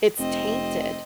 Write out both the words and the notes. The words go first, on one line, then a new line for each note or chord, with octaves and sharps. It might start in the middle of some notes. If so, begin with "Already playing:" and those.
it's tainted
F1 C4 D#5